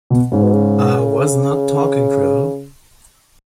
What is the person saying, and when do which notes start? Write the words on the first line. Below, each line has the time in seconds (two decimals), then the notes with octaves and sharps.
I was not talking drivel.
0.10 B2
0.32 G#2 C#3
0.43 B2
0.53 C#3